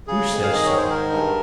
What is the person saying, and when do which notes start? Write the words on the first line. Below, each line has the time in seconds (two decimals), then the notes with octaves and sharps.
"Who says so?"
0.07 C#3 G#4
0.29 F2
0.43 F5
0.50 D#3 D#5
0.66 G#2 C#5
0.77 C5
0.89 D#3 A#4
1.11 G2